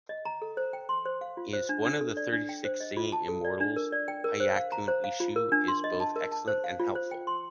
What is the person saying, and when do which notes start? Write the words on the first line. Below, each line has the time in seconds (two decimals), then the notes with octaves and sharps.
Is one of the thirty-six singing immortals. Hyakunin Isshu is both excellent and helpful.
0.09 D#5
0.25 A#5
0.42 A4
0.57 C5
0.73 G5
0.89 C6
1.05 C5
1.21 F5
1.37 F4
1.53 C5
1.69 D4
1.85 D4
2.01 A4
2.17 D5
2.33 D4
2.49 G5
2.65 C5
2.80 D#5
2.97 F4
3.12 A5
3.28 A4
3.45 D5
3.60 D4
3.76 A#4
3.92 D5
4.08 G5
4.24 A#4
4.40 C5
4.56 F5
4.72 A#5
4.88 C5
5.04 F5
5.20 F4
5.36 A#4
5.52 D4
5.68 C6
5.84 D#5
6.00 A5
6.16 A#4
6.32 A5
6.48 C5
6.64 F5
6.80 F4
6.95 C5
7.11 G5
7.27 C6